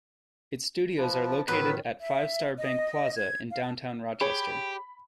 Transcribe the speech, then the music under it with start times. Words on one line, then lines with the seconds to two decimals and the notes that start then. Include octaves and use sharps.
Its studios are located at Five Star Bank Plaza in downtown Rochester.
0.98 F3 B4 A5
1.48 A2 D#3 F#3 B3 B4
2.00 E5
2.59 D#5
3.17 G#6
3.51 F5
3.63 A5
4.21 G4 G#4 C#5 B5